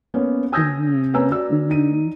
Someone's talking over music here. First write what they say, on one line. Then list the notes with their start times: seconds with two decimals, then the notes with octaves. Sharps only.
Mhm, mhm.
0.14 A#3 B3 C#4
0.52 G#5 D#6 E6 G6 G#6 A#6
1.14 A#3 C#4 B4 G#5 A#5 E6
1.31 F#4 D5 E6
1.70 D#4 D#7